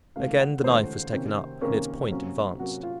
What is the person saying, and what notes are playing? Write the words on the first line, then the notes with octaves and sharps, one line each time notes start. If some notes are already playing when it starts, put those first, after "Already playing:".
Again the knife was taken up and its point advanced.
C#2 C3 D#3 A3 C#4 F5
F#5
C#2 C3 D#3 A3 C#4 C5
C3 D#3 A#3 C#4
C3 D#3 A#3 C#4 A#4
C3 F#3 A#3 C#4
C3 F#3 A#3 C#4 F#4
F4